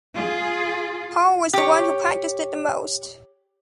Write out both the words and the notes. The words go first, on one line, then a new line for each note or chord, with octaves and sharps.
Paul was the one who practiced it the most.
F4 G#4
G4 C#5